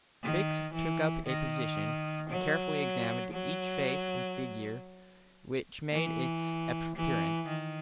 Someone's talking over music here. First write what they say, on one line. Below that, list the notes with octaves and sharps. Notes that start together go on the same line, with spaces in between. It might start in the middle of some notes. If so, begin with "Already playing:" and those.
Fix took up a position, and carefully examined each face and figure which made its appearance.
D#3
E3
D#3
F#3
F#3
E3
E3
D#3